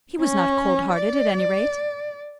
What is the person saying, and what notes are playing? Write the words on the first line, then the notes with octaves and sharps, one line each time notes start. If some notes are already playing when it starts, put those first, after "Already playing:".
He was not cold-hearted, at any rate.
C#4
D5